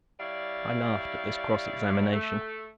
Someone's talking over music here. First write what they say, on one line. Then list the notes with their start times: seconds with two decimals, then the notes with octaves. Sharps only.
I laughed at this cross-examination.
0.19 G3 E4 C#5 D5 F5
2.12 A3